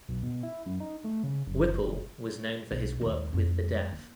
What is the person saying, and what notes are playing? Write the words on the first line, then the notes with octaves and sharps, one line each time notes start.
Whipple was known for his work with the deaf.
B1
B2
E4
F#2
D#4
A3
C#3
F#1
F1
B1
D#2 G#3
F2 G#3
A#3